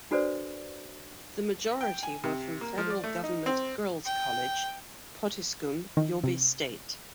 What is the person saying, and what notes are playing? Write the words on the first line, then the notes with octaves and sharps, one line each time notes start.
The majority were from Federal Government Girls' College, Potiskum, Yobe State.
D4 F#4 A4 B4 C5 D5
G5
G#5
C3
A#3
F3
D5
A3
D#4
C4
G5
D#3
C3